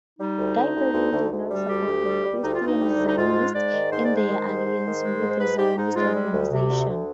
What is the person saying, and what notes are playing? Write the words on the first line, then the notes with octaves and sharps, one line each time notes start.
Gaebelein did not support the Christian Zionists in their alliance with the Zionist Organisation.
G3 D#4
D2
D2
D2
D2
D2
D2
G3
D2 G4
D2
G3
G3
D2 D#4
F4
D2
D#4
G3
D2
D#4
G#2 F4
G#3
G#2 D5
D#3
G#2 C5
D5
G#3
C5
D#3
G#2
G#2
D#3
G#3
G#2
C5
G#2 B4
G#2 G4
G#2 D#4
G#3 F4
G3
D2
C3
D2
D2